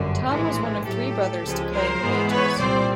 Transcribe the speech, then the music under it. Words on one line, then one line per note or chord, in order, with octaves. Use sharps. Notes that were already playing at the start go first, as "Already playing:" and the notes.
Tom was one of three brothers to play in the Majors.
Already playing: G1 F#2 D3
A#1 A2 E3 G#3
A2 F#3 A3 G4 A4
C#2 C#3 F3 G#3
A#4 C5
G#2 E3 G#3 B3
B4 C#5
C2 A#2 G3 C4 C5 D5